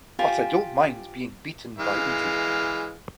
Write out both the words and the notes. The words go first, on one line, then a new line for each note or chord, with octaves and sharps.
But I don’t mind being beaten by Edie.
F4 G4 C5 G#5
E3 G#3 F5